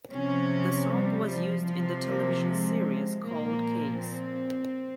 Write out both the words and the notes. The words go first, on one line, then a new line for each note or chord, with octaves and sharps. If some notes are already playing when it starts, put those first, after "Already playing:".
The song was used in the television series "Cold Case".
C3 F3 C#4
G3
F3
C3 F3
A#3
G#3
A#2 F3 A#3
C4